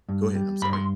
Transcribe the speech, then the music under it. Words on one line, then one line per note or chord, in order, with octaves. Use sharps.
Go ahead, I'm sorry.
G2
G3
G2 B5
C6